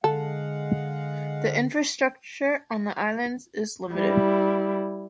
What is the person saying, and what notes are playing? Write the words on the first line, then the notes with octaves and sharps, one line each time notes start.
The infrastructure on the islands is limited.
D3 G#3 A4 F5 F#5
G3 E4